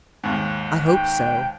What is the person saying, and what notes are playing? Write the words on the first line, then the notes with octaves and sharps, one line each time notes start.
"I hope so."
D#2 G#2
G5